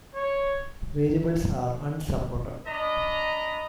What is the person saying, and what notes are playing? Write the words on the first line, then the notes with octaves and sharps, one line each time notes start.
Variables are unsupported.
C#5
D4 D#5 A#5 B5